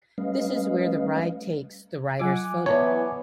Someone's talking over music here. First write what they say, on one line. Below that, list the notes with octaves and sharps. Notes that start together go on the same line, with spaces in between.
This is where the ride takes the rider's photo.
G3 A3 C#4 B4 D#5 F5
F#3 F4 F#5 G#5 D6
E3 B3 C#5 D5 A5 A#5